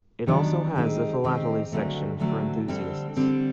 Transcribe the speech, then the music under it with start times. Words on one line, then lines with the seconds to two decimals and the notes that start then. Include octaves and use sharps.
It also has a philately section for enthusiasts.
0.27 D#3 F#3 B3 D4 G4
0.76 D#3 G#3 C4 D#4 G4
1.24 D#3 G#3 C4 D#4 G4
1.72 D2 D3 F#3 A3 C4
2.19 D2 D3 F#3 A3 C4
2.68 D3 G3 C4
3.16 D3 G3 C4